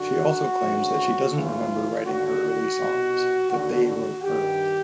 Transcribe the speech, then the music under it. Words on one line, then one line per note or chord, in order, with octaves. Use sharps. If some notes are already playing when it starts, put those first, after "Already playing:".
She also claims that she doesn't remember writing her early songs-that they wrote her.
Already playing: F#2 D3 F#4
D2 C#3 E3
D#2 C#3 E3 F4
D#2 D3 F#4
C2 B2
D#2 D3 F#4
F#4
G2 D#3 G4